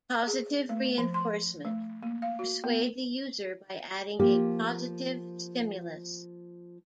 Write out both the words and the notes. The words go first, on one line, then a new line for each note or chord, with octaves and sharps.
Positive Reinforcement: Persuade the user by adding a positive stimulus.
G#4
A3
F3
C6
A3
A#3
F5
F#4
B3
F3 A#3 G4